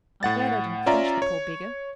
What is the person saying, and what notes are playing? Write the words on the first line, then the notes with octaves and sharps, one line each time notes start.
I'm glad I didn't finish the poor beggar.
A2 F#5 A6
C#4 F4 D5 E5 A#5
C#5